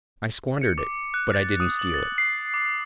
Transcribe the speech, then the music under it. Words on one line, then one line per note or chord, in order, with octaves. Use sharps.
I squandered it, but I didn't steal it.
C#7
D6
F#6
A6
D#6
F#7
A6
C7
D6